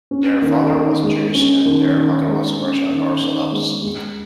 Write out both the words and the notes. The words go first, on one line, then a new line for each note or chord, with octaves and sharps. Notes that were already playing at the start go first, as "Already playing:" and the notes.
Their father was Jewish and their mother was Russian Orthodox.
C#4
D#3
D#3
G#3
C#4
D#3
D#3
G#3
C#4
D#3
D#3
G#3
G#3